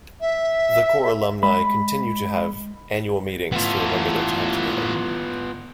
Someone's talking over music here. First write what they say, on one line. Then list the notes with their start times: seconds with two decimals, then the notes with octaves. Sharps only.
The corps alumni continue to have annual meetings to remember their time together.
0.20 E5
1.43 G#3 B5
3.52 E3 A3 B3 F4